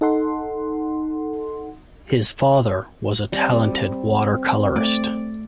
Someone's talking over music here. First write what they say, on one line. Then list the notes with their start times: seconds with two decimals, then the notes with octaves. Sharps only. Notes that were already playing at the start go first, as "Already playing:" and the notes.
His father was a talented water-colourist.
0.01 D#4 A4 F#5 C6
3.32 G3 C4
4.76 A3 D5